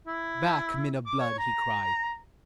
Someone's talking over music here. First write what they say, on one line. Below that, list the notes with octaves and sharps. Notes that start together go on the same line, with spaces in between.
"Back, men of blood!" he cried.
E4
D6
C#5
A#5